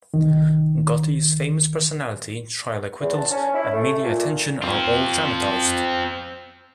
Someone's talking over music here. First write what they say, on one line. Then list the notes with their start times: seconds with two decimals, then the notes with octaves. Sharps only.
Gotti's famous personality, trial acquittals, and media attention are all dramatized.
0.14 C2 D#3
2.99 E2
3.15 A5
3.30 C#4
3.54 E4
3.73 A3
4.03 A#2
4.62 C4 F4